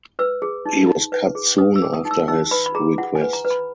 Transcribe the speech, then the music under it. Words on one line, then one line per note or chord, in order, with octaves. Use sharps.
He was cut soon after his request.
B4 E6
G#4
D#4
D#4
B4
G#4
B4 D#6
E6
G#4
D#6
D#4
E6
D#4 E6
B4 B5
B5
G#4 A#5
E4 F#5
G#5
B4
A#5
B4
B5